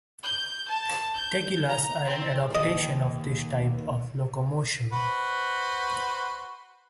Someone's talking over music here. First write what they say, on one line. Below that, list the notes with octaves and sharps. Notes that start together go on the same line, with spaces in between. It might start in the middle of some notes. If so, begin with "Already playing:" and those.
Tegulaes are an adaptation of this type of locomotion.
G6
A5
G6
A#5
C4
D#2 D#5
F#4 B4 C5